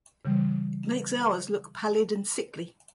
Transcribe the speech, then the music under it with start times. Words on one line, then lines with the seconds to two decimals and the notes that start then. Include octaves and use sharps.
It makes ours look pallid and sickly.
0.25 C#3 E3 G3